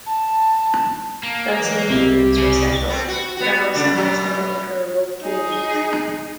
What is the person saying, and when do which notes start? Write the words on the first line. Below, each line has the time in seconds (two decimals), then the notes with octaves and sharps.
Vaccination booths were set up, with a house-to-house campaign for remote communities.
0.06 A5
1.23 A#3
1.57 D3 E3 F#3
1.90 C2 C4 E4 G4
2.38 C#3
2.88 A3 B3 C4
3.08 F#4
3.37 B3 F#4
3.74 C#3 A3 D4
3.95 F#2 B2 F#3
5.21 D#4 G#4